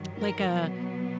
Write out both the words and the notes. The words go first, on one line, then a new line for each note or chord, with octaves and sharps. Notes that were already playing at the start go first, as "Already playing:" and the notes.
like a
Already playing: G2 D#3 F#3
A#4
B2 F#3 B3